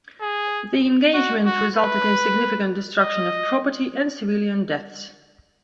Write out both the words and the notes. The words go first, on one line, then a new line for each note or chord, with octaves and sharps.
The engagement resulted in significant destruction of property and civilian deaths.
G#4
F#4
F#4
B4
D#5